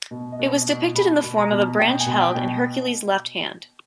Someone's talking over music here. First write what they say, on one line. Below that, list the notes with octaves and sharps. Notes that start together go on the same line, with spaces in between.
It was depicted in the form of a branch held in Hercules' left hand.
B2
D#5
B2
B2
B2 B5
B2
A#5
B2
B2 G5
G#5
B2
G5
B2